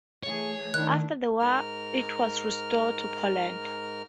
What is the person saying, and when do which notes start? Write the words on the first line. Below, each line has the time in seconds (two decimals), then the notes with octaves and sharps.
After the war it was restored to Poland.
0.23 E3 A3 G#4 C#5
0.74 D#3 A3 D4 E4 F#6
1.39 G#2 A#4 F6